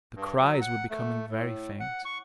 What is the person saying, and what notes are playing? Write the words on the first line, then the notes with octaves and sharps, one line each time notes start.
The cries were becoming very faint.
G2
F#3
F#5
A3
A2
F#5
C#6